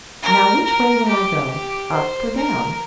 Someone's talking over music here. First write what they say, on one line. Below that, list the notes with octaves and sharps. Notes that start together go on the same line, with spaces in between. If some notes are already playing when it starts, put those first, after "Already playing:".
Now which way will I go,--up or down?
A#4
A#4
G4
G4
C5
A#4